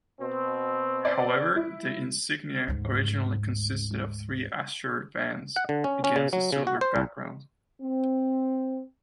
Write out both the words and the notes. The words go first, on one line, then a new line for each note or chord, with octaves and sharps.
However, the insignia originally consisted of three azure bands against a silver background.
B2 C4
D5
E4
D2 G#2
F#5
D3
C#4
C#4
C#3
F#3
C#3
F#4
C5
C2
C4